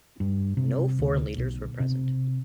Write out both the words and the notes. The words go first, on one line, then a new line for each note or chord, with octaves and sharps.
No foreign leaders were present.
G2
C3
D2
B1
C3